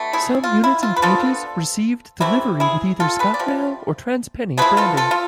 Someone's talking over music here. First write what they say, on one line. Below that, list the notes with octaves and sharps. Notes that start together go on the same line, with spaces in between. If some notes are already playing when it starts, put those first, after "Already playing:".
Some units and coaches received the livery with either "ScotRail" or "Trans-Pennine" branding.
Already playing: B2 A3 D4
E4 G#4
F4
E4
F4
B4
F3 B3 D4 F4 A4
C3 E3 A3 E4
E4 G#4
F4 A4
G#4 B4
D5
C3 F3
F3 B3 E4 G#4 B4
F4 A4
F4 A4
F4